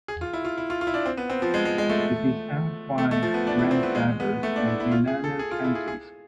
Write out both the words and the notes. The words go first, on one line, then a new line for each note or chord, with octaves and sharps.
It is owned by Grand Traverse and Leelanau counties.
G#4
F4
E4
F4
E4
F4
F4
E4
D4
C4
B3
C4
F3
G#3
G#3
G#3
A3
A3
A3
F3
B3
D4
E4
C4
B3
G#3
B3
A3
D4
E4
E4
F4
G#4
A4
G#4
F4
E4
G#4
G#4